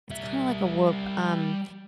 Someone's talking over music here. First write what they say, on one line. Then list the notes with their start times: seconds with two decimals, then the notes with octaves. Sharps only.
It's kinda like a Whoop. Um,
0.10 G3 E5